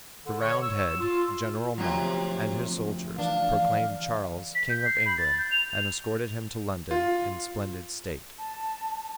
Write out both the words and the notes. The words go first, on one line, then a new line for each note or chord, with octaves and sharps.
The Roundhead, General Monk, and his soldiers proclaimed Charles King of England and escorted him to London in splendid state.
D3
C#5
E6
F4
D2 C3 F3 F#3
E3 D4 F5
B6
G6
C7
B5
A6
G6
F7
F4
A5